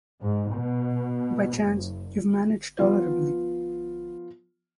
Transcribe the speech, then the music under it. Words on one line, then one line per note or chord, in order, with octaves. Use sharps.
By chance, you’ve managed tolerably.
G#2
B2
F#1
F3 B3 F4